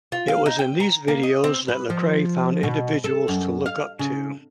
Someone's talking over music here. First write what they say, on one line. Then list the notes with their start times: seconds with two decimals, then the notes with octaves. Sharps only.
It was in these videos that Lecrae found individuals to look up to.
0.12 F4
0.28 F5
0.46 D#4
0.59 G5
0.80 A#5
1.08 A#3
1.23 D#5
1.44 C4
1.68 B4
1.90 F3
2.63 B2
3.04 A4
3.28 F#2
3.66 F5
3.99 C#3